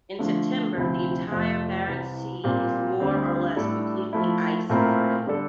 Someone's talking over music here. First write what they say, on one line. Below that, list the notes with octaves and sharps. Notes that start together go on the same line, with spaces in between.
In September, the entire Barents Sea is more or less completely ice-free.
D3 F3 A3
D2 C3 F3 C4 E4
F2 C3 F3 A3
C2 C3 E3
A#2 G3 C4 G4 C5
D2 D3 G3 C4
A2 G3 D4 A4 D5
F3 A3 E4
A#2 A3 C4 E4 A#4
D3 G3 D4 A4